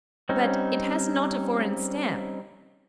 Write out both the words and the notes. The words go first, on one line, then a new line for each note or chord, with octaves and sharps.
"But it has not a foreign stamp."
G3 C4 C#4 D#4